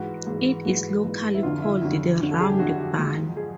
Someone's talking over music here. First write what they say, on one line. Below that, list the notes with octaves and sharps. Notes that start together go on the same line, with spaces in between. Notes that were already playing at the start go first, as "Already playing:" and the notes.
It is locally called "the round barn".
Already playing: G#2 E3 F#4
G#2 E3
G#2 E3 F#4
G#2 E3
E4
F2 D3 F#3 F4
E4
F2 D3 F#3
F2 D3 F#3
A4
G#4
G4
F2 D3 F#3 F#4
G4
G#2 F3
F3 G#4